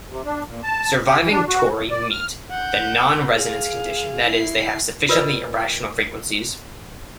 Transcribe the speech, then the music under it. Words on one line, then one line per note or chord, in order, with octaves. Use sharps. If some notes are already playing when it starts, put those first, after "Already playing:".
Surviving tori meet the non-resonance condition, that is, they have "sufficiently irrational" frequencies.
C3
D4
A#2
A5
G4
E3
D4
F#4
F2
D5
F6
F#5 G6
G#4 F5
E4 C7
F4 A#4 B4 D5 D#5